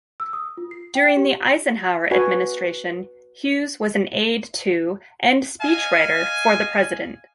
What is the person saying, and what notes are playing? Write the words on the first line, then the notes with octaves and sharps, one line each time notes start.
During the Eisenhower administration, Hughes was an aide to and speechwriter for the president.
E6
D#6
F4
C7
G5
G4
F#4 B4 G#5 A5
D#5 F5 G#5